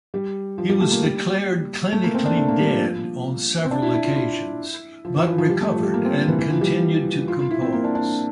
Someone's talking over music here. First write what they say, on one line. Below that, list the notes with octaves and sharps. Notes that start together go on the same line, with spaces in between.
He was declared clinically dead on several occasions, but recovered and continued to compose.
G3
F3
G3
A3
A#3
G3
A3
A#3
C4
D4
A3
A#3
G3
F3
C4
D4
E4
E4
F4
E4
F3
E3
F3
F3
G3
A3
F3
G3
A#3
C4
E3
E3
F3
G3
F4
F4
E4
C4
A#3
D4
D4